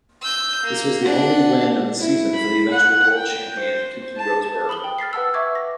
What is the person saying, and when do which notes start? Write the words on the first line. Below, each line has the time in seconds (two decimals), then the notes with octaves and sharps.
This was the only win of the season for eventual World Champion Keke Rosberg.
0.22 E6 G6
0.64 A#3
1.02 D4 F#5
1.99 E4
2.35 B5
2.71 F#5
3.16 G5
3.59 C5
4.16 A5
4.69 B5 D#6 F#7 G7
4.84 G5
4.98 F6 A6 B6 C7
5.13 B4 F#5 A5 E6
5.34 E5 C#6 D6 E6 G#6
5.55 A#6